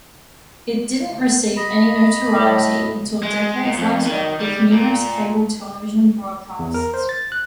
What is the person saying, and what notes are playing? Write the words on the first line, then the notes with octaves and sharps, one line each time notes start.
It didn't receive any notoriety until decades later with numerous cable television broadcasts.
D#5 B5
A2
G#3
A#2
F2
D#3
G3
A#2
E2
A#4
C5
A6
F#6